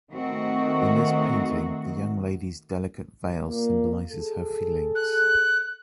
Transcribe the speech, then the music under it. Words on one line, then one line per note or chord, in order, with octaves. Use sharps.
In this painting, the young lady’s delicate veil symbolizes her feelings.
D#3 A3 C4 F#4
A#2 A#3
G#4 A4
F#6